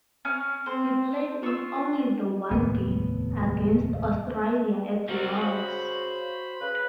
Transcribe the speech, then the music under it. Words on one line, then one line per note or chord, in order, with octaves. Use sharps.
He played in only the one game, against Australia at Lord's.
C#4 F6
C4 C5
F4 C#6 E6
F1 D#2 A2 B3
C3 G3 C4 F#4 A#4
C#3 C5 B5
C#3 B4